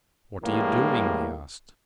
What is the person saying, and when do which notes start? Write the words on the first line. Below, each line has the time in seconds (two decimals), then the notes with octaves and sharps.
"What are you doing?" he asked.
0.43 D2 A2 E3 G3 G#3 A#3